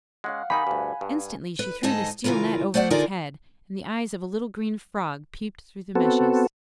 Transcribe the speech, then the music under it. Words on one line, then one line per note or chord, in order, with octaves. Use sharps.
Instantly she threw the steel net over his head, and the eyes of a little green frog peeped through the meshes.
G#3 C#4 F5 F#5
D#3 D#4 G4 G#5 B5
D2 G2
G2
B4
G#2 D3 D#4 G#4 D#5 A5
C#3 E3 F4 A#4 B4
A3 C5 D5 F5 F#5
D3 D#4 F4 G#4 A#4 D5
B3 C4 F#4 A4